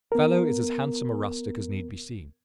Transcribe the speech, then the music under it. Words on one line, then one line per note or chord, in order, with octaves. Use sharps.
The fellow is as handsome a rustic as need be seen.
B3 A#4